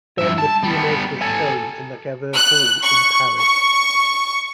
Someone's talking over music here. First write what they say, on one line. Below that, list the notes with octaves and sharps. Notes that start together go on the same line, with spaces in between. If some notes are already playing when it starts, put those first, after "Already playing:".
Then the pianos were shown in the Gaveau Hall in Paris.
G2 E5
A5
G3 B3
A4 G#5
F#6
C#6
C#6